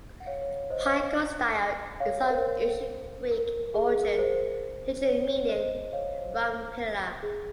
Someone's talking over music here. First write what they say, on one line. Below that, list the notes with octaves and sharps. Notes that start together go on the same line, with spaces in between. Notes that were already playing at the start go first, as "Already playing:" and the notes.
"Pygostyle" is of Ancient Greek origin, literally meaning "rump pillar".
F#5
C#5 F5
C#5
C#5
C5 D#5
C#5 F5
C#5 F5
C5
A#4
C5
A#4
G#4
G#4
A#4
A#4
C5
C#5
C#5
C5 D#5
C#5 F5
C5
G#4